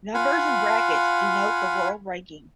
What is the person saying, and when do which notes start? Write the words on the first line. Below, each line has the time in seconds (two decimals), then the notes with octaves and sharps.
Numbers in brackets denote the World ranking.
0.14 F4 F5 F#5 G#5 B5